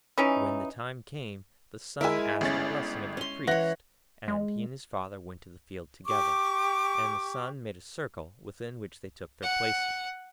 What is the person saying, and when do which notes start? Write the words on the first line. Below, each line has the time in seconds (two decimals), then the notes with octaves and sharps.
When the time came, the son asked a blessing of the Priest, and he and his father went to the field together; and the son made a circle within which they took their places.
0.18 E3 C#4 D#4
2.01 G#3 E4 A#4 E5 G#5
2.41 G1 C#4 A6
3.17 C#4 C6
3.47 E3 C#5 F#5 F#6 A#6
4.28 G#3
6.06 G4 C#6 D6
9.43 F#5